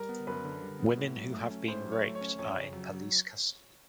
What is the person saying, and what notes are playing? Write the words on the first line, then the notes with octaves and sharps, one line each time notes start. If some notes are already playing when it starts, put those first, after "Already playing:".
Women who have been raped are in police custody.
Already playing: G3 A#4
B3
F#2 B4
D3
G3
B3
A2
F#3
A3
C#4
A2 C5
F#3
C#5
A3
C#5
C#4
F2 C#5
C#3
F#3